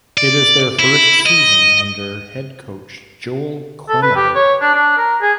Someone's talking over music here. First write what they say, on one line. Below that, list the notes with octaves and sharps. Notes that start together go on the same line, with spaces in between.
It is their first season under head coach Joel Quenneville.
D5
E4
D#5
A4
B4
G4
C#5
D4
D4
A#4
G#4